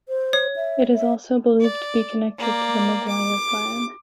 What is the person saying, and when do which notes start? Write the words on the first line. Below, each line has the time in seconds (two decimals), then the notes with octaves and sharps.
It is also believed to be connected to the Maguire clan.
0.09 C5
0.33 C#5
0.56 E5
0.95 E5
1.60 D5
2.38 A#3 D5
3.08 D6